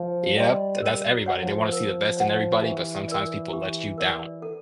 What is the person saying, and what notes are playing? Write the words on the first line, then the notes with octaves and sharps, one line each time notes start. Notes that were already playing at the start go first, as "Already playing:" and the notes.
Yep, tha that's everybody, they wanna see the best in everybody, but sometimes people let you down.
Already playing: F3
G3 D#5 G5 C6
G3 A#4
F#3
C#5 F#5
F3
A#4
C#5 F#5
E3 G4
A#4 D5
G4
A#4 D5
A4